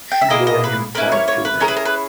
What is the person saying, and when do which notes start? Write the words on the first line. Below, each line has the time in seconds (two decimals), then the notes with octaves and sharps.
She bore him five children.
0.12 G5
0.22 E5
0.30 A#3 E4 G#4 D#5
0.47 D#5
0.64 B4
0.95 A#3 C#4 E4 B4
1.12 C#5
1.28 C#5
1.45 B4
1.60 C#4 E4 G#4 A#4
1.68 B4
1.77 A#4
1.85 B4